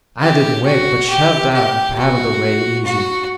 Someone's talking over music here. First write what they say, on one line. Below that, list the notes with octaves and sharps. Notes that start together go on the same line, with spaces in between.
I didn't wait, but shoved out and paddled away easy.
G4
F#4
G4
G4
F#4
F#4